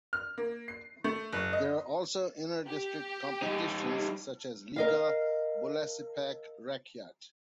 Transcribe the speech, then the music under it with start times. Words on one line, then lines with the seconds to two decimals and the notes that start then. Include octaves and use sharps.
There are also inter-district competitions such as Liga Bolasepak Rakyat.
0.13 F6
0.38 A#3
0.68 C7
1.04 A3
1.33 F#1
1.53 D#5
2.66 G4
3.42 G3 D#4
4.76 A#4 D#5 F5